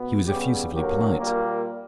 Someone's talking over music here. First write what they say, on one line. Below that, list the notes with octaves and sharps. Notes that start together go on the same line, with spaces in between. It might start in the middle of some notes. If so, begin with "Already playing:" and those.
He was effusively polite.
Already playing: B2 B3
C#3 G3 B3 G4
D3 F#3 A#3 G4
A#2 G3 A#3